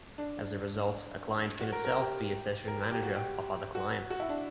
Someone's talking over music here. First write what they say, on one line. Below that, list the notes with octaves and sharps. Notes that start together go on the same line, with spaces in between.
As a result, a client can itself be a session manager of other clients.
D4
F#4
A#4
A#4
G4
A#4
A#4
G4
F#4
G4
F#4
F#4
E4
D4